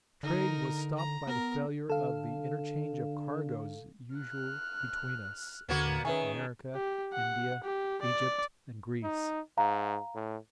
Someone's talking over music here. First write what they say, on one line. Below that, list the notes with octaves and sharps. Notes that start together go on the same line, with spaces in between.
Trade was stopped by the failure of the interchange of cargoes usual between us, and America, India, Egypt and Greece.
D3 D#4 A#4
A#5
B3 A#4
D3 A4 F5
F6 F#6
D#2 D3 A#3 B3 F#4
D#3 C#4 G#4 B4 E5 G#5
G4
F#5
G4
D5
D#4
G#2 F5 A#5
A2